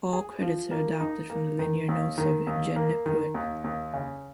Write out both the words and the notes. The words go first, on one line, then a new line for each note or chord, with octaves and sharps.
All credits are adapted from the liner notes of "Jeanne Pruett".
G#4
F3
A#3
D#4
A#3
D#3
D#2
D#3
D#2
A#3
D#3
D#2
D#2
C#3